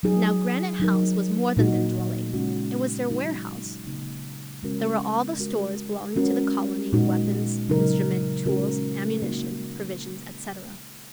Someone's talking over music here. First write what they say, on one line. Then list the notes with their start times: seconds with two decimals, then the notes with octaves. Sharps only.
Now Granite House was more than their dwelling, it was their warehouse. There were all the stores belonging to the colony, weapons, instruments, tools, ammunition, provisions, etc.
0.03 F#3 D#4 G#4
0.80 F#3 D#4 A#4
1.57 A#2 A#3 D#4 F#4
2.33 C#3 G#3 C#4 F#4
3.10 F#3 D#4 F#4
3.86 C#3 A#3 D#4
4.63 C#3 G#3 C#4 F#4 A#4
5.39 G#3 F#4 A#4
6.16 G#3 C#4 F#4 A#4
6.93 A#2 G#3 D#4 F#4
7.69 C#3 F#3 D#4 A#4
8.46 C#3 G#3 C#4 F#4 A#4
9.22 C#3 A#3 D#4 F#4